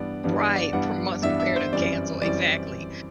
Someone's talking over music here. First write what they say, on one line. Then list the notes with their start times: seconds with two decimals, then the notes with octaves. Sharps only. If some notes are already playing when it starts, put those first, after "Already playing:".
Right. pro months are prepared to cancel. Exactly.
Already playing: G2 E3 G3 B3 D4 D5
0.24 G2 E3 G3 B3 D4
0.40 D5
0.56 D5
0.73 G2 E3 G3 B3 D4 F#5
1.22 G2 E3 G3 B3 D4 E5
1.40 E5
1.56 C5
1.73 F#2 E3 G3 C4 D5
2.21 F#2 E3 G3 C4 D5